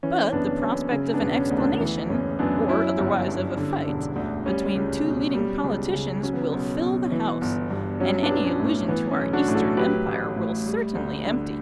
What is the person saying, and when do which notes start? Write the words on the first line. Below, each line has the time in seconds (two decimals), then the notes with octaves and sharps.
But the prospect of an explanation,--or otherwise of a fight,--between two leading politicians will fill the House; and any allusion to our Eastern Empire will certainly empty it.
0.03 E3 C#4
0.32 F#1 B3 D4
0.62 F#2 C#4
0.91 C#3 C#4
1.14 B3 D4
1.21 E1
1.36 C#4
1.51 D2
1.57 B3 D4
1.80 E3
2.09 F#1 C#4
2.39 F#2 B3 D4
2.68 F#3 C#4 E4
2.98 G1
3.28 G2
3.57 D3
3.87 E1
4.16 D2
4.46 G3 C#4
4.75 C#2
5.05 B2
5.35 G3
5.64 C#2
5.93 C#3
6.23 F#3 C#4
6.33 B3
6.52 B1 B3
6.82 B2
7.11 E3
7.41 G1
7.70 G2
8.00 F#3 C#4
8.22 B3 D4
8.30 B1
8.45 C#4
8.60 A2
8.67 C#4
8.89 E3 B3
9.11 C#4
9.18 B1
9.33 D4 F#4
9.48 A2
9.55 F#4 A4
9.77 F#3 G4 B4
10.07 A1
10.36 A2
10.66 G3
10.95 D2
11.25 D3